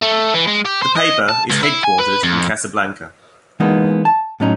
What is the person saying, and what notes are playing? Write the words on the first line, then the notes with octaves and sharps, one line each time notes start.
The paper is headquartered in Casablanca.
A3
E3
G#3
G4
C5
D#5
A5
C#2
E4
G#5
B4
F2
E3 G#3 A#3 B3 D#4
A5
A2 F#3 C#4 D#4